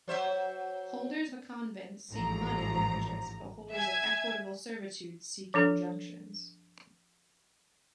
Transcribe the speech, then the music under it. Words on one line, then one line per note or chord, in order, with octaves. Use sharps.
Holders of a "covenant" seek "money" damages, but holders of "equitable servitudes" seek "injunctions".
F#3 C5 E5
A1 G#2 F3 A#5
E5 G#5 G#6
F3 D4 A4